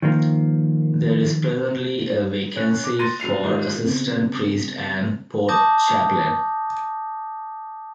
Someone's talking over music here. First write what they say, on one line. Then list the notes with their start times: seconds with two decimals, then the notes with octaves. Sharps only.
There is presently a vacancy for Assistant Priest and Port Chaplain.
0.02 D#3 F3 A#3
2.56 C#4 F#6
2.84 D6
2.99 C6 A6 A#6 D#7
3.20 F#2 B2 C7 F7
3.43 G#2 D#3 G3 G#3 F4
3.84 C#3 B3 C4
5.48 A5 D6 D#6 G6 A6 A#6